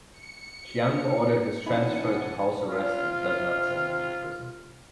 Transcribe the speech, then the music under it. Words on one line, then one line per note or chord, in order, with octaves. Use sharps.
Chiang ordered his transfer to house arrest and does not send him to prison.
C#7
A1 D#4 E4 F#5 G#5 A5 B5
C3 F4 F6